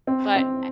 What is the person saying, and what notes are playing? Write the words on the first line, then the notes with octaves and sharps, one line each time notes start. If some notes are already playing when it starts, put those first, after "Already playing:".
but I
C4
C4